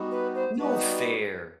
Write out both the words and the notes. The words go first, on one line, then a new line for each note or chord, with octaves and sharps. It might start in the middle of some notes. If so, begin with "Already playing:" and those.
No fair.
Already playing: G3 B3 D#4 F#4
B4
C5
G3 B3 D#4 F#4 B4